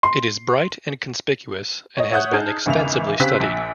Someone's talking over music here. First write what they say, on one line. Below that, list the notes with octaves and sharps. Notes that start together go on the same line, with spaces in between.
It is bright and conspicuous and has been extensively studied.
C6
C#5 D#5
C#5 E5 F#5 D#6 F#6 G6
D#4 G#4 A5 F6 G6
G#1 E2 C#3 E5 F7
C#3 C4 G4 E6 F#6 B6
A#1